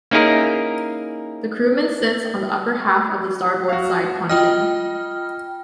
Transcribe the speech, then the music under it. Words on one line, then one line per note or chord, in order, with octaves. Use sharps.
The Crewman sits on the upper half of the starboard side pontoon.
A#3 C#4 D#4 E4 G#4 A#4
F#4 F5
F4 D#5 G5 F6